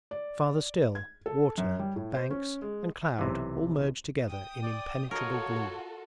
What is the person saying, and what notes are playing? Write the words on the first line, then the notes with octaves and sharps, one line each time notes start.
Farther still, water, banks, and cloud all merged together in impenetrable gloom.
D5
G#6
A4
F#2
G3
A2
C5
C#4
G#3
B1 C3 E3
G5 D#6
D5
F4 F#4 A4 A#4 C#5 D#5